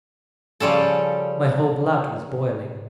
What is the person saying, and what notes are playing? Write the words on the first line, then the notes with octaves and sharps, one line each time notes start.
My whole blood was boiling.
C#3 F3 G3 C#4 A4